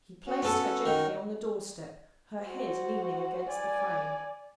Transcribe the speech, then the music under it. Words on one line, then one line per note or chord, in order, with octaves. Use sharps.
He placed her gently on the door-step, her head leaning against the frame.
C#4 F#4
B3 A4
D#3
F#4 C5
D5 G#5